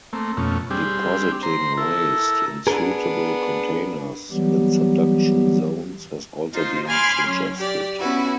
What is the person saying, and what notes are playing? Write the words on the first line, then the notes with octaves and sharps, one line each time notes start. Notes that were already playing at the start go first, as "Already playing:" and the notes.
Depositing waste, in suitable containers, in subduction zones has also been suggested.
A3 A#3 C4
F2 B2 A3 C#4
G3 C4 D4 G4 G#4
C5 A#5 C6
E4 A4 A#4
B3 D4 G#4 A#4
E3 F#3 G3 B3 G4
D#4 F4 C5
G#5 B5 C6 D6 F6
F#3 C#4
G4 D5
B3 C#4 E4 F#4 B4